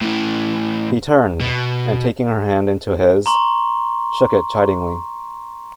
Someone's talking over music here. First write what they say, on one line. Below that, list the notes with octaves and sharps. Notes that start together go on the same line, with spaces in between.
He turned, and taking her hand into his, shook it chidingly.
A2 E3
B2
A#5 C6 C#6